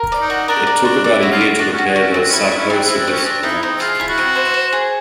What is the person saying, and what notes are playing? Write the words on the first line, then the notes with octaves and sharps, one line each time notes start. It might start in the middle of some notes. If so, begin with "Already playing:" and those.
It took about a year to prepare the "Sarcosuchus" remains.
Already playing: A#4
D5
D#4
F#4
D4 A#4
D4 D5
D4 F#4
D4 D5
E4
F#4
F4
F#4
D4 F#4
C#4
F#4
D4
C#4 F#4
C4 D4
C#4
E4
D4
E4
C#4
C4 D4
C4 E4
D4
C4 C#4
C4 D4
D#4 E4
C4 D#4
F4 G#4
E4
F#4
C4
C5
C5
G#4